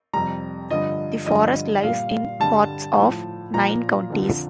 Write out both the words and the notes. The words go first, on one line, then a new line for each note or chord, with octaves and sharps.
The forest lies in parts of nine counties.
F2 C3 G3 A#5
G2 D3 F3 D#5
G2 D3 F3 D#5
A#2 G3 F5
G2 D3 G3 A5
A2 F3
A#2 F3 A#5
F2 D3 F3